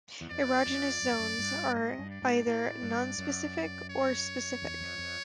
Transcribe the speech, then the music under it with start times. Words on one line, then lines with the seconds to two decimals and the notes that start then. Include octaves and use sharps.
Erogenous zones are either nonspecific or specific.
0.21 E2
0.31 F2 D5
0.66 F2
1.02 F#2
1.11 F2
1.19 F#2
1.38 G2
1.74 G#2 D#5
1.98 G2
2.10 D5
2.22 G#2
2.46 A2
2.82 G2
3.18 F#2
3.90 C#5
4.62 E2
4.80 F2
4.98 F2